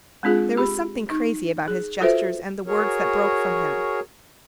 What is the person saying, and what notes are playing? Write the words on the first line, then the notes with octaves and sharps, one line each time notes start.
There was something crazy about his gestures and the words that broke from him.
G#3 C4 D4 F4 G#4
G4 B5
D#4
G#4
F4 F#4 A4 B4 C5 E5
F#4 G#4 A#4 C#5